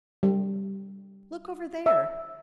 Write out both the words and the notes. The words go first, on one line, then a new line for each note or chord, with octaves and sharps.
Look over there!
G3
E5